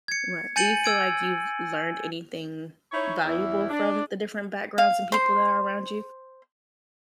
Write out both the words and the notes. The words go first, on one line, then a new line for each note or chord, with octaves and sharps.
Right, do you feel like you've learned anything valuable from the different backgrounds and people that are around you?
G#6 C#7
G#5 G6 A6 C#7 D#7 F#7
E6 G#6 D7
D#4 E4 C#5
E2 E4
D4
F5
C5 C6